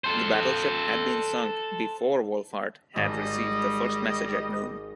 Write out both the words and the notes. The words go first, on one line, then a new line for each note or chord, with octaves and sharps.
The battleship had been sunk before Wohlfahrt had received the first message at noon.
A4 C5
G#1 G3 D#5